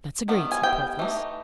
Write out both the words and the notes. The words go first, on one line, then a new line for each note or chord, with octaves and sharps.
"That's agreed," said Porthos.
D#3 G3 B3
G#5
G5
E3 A3 D#4